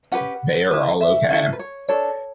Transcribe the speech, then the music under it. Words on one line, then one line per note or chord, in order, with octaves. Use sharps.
They are all OK.
C#4 G4 B4 F#5
E4 B4
E5
C#4 E4 A4
B4
C#5
D4 A4 C#5